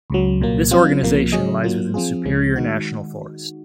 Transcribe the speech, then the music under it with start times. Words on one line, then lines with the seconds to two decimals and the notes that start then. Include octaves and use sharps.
This organization lies within Superior National Forest.
0.10 C#2 C#3 F#3
0.40 C2 A#2 F#3 A#3
0.71 F#3 C4 F4
1.02 C2 C3 F3 A#3
1.32 C#3 F#3 C#4 G#4 D#5
1.64 F#3 A#3 F4
1.94 F3 C4 F4 G#4
2.25 C#2 C#3 F3 G#3 C#4
2.56 D#3 G#3 D#4 F#4